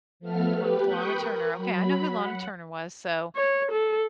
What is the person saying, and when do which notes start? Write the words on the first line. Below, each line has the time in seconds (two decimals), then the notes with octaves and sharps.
The one with Lana Turner. Okay, I know who Lana Turner was, so,
0.20 F3 A3 B3 A4 F6
0.51 G4 B4
0.83 G5 B5 C#6 D#6 F#6 G6
1.14 A#4
1.54 F#3 B5
2.11 F#5
3.36 C#5
3.71 A4